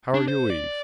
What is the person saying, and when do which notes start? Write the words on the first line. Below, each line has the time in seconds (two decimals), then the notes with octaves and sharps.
"How are you, Eve?"
0.14 D4
0.28 C5
0.50 D5